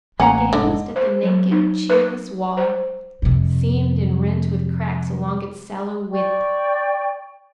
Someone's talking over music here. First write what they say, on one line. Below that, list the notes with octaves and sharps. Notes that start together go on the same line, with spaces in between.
I gazed at the naked, cheerless wall, seamed and rent with cracks along its sallow width.
A1 A3 A#3 C#4 F5 F#5 A#5
F1 G#2 D3 D4 D#5
C5
F#3
D#4
B4
C5
F2 C3
D5 G5 C#6